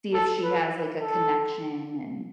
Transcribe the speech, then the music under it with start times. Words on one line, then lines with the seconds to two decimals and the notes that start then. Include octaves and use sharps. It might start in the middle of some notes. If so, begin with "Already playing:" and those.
See if she has, like, a connection and
0.14 A4
0.43 B4
1.01 A4